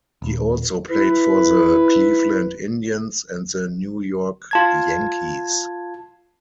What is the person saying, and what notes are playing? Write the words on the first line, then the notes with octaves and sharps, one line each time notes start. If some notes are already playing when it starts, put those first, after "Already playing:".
He also played for the Cleveland Indians and the New York Yankees.
D#1
E4 B4
F4 A5 G#6